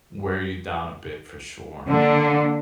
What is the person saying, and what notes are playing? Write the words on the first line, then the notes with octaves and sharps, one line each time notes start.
wear you down a bit for sure.
D3 A#3 D4